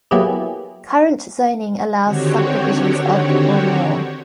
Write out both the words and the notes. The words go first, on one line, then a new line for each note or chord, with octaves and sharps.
Current zoning allows subdivisions of or more.
F#3 A#3 B3 E4 G4 G#4
D3 D#3 C4 F#4 G4 C#5